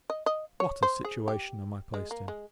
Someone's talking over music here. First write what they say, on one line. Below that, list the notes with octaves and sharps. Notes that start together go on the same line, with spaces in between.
What a situation am I placed in!
D#5
D#5
C#5
C5
G#4
G4
G#3
A#3
G#3